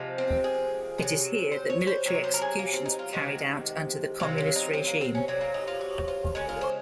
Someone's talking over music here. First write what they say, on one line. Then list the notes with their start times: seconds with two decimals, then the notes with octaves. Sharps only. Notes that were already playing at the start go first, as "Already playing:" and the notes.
It is here that military executions were carried out under the communist regime.
Already playing: C3 F3 G#3
0.18 C4
0.44 G#4
0.98 C3 D#3
1.02 F#3
1.52 C5
1.70 C#5
1.81 C#5
1.87 C5
2.05 C3 F#3 C#5
2.24 C5
2.34 A#4
2.42 G#4
2.59 A#3
2.73 C4
2.86 D#4
2.99 F4
3.13 C3 D#3 G#3 F#4
4.20 C3 F#3 F4
4.38 F4
4.56 D#4
4.73 C4
4.87 A#3
5.01 C4
5.15 C#4
5.28 C3 F#3 C4
5.41 A#3
5.54 D#4
5.67 F4
5.81 F#4
6.08 F4
6.35 C#3 G#3 C#4
6.49 F4
6.61 C5